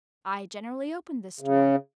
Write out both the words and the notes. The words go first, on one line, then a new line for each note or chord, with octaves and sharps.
I generally opened the store.
C#3